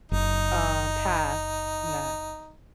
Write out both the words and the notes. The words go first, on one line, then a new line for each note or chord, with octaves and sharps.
uh, path. Yeah.
F#1 D#4